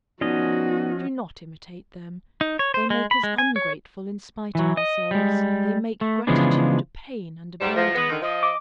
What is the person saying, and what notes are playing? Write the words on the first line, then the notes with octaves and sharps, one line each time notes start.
Do not imitate them: they make us ungrateful in spite of ourselves, they make gratitude a pain and a burden.
F3 B3 C#4 D#4 F#4 D5 D#5
D#4
C#5
C5
G#3
B5
G#3
G#5
C#5
E3 F#3
D#5
G3 G#3
A3
C#3 E3 F3 G#3 B3 D4
G#2 F#3 G3 E7
E2 G#2 F3 A#6
G#3 B3
D3 D#3
F3 D#5
D6